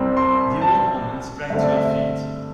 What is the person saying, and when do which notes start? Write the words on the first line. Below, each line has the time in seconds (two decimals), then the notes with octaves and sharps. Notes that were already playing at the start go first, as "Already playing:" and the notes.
The old woman sprang to her feet.
Already playing: C2 C3 G3 C4
0.17 C6
0.61 A5
1.50 G2 D3 A3 C4 E5
1.64 D5
1.77 E5